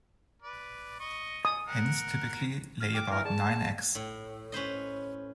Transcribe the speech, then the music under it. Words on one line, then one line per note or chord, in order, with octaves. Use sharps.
Hens typically lay about nine eggs.
B4 D5
D#5 C#6
D#6
A#4 F#5
F6
G5 D6 F6
E3 A#4
G#4 D5 A5
A2
C#4 B4 C5 D#5